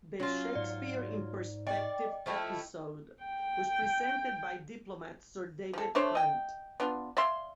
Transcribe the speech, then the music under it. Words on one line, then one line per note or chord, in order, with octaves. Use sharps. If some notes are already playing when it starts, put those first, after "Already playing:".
The "Shakespeare in Perspective" episode was presented by diplomat Sir David Hunt.
F#3 C#4 F4
G#2 D5
D5 D#5 G5
F3 A3 E4
G5
F3 A4
A3 D4 C5 C#5
D#5 G5
B3 D4 F4
D5 E5 F5 C6